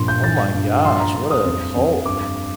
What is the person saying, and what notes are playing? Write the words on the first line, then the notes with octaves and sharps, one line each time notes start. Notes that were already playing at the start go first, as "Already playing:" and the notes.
Oh my gosh, what a hulk.
Already playing: G2 A#2 F3 C6
G6
F3 A6
G2
F3 C6
A#5
G2 C6
D#6
F2
F2
G2 D6